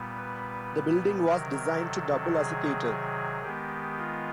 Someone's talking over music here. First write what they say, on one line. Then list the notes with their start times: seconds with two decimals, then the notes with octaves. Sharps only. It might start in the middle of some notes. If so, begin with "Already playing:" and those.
The building was designed to double as a theatre.
Already playing: A#2 G3 B3
0.18 B4
1.26 C3 D#3 F#3 A#4
1.81 A4
2.35 G#4
3.43 D#3 G#3 B3 G4
3.98 F4